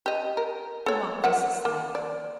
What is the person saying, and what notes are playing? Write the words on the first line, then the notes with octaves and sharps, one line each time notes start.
He walked listlessly.
G4 D#5
A#4
A4 C#5
A#4 E5 F#5
A#3
D5